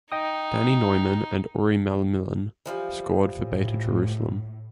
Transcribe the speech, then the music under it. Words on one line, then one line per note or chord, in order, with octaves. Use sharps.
Danny Noyman and Uri Malmilian Scored for Beitar Jerusalem.
D#4 D#5 G5 D#6
E3 F3 G3
A2